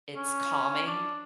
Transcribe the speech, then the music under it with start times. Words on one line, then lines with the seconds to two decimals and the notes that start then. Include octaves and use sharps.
it's calming,
0.14 C#4
0.87 D4